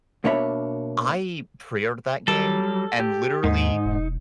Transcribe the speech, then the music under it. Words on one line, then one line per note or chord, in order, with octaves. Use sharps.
I pre-ordered that game and literally,
B2 A#3 D4 C#5 E5 B5
F#3 G3 A4
G4
D#2 G#2 D#4
E1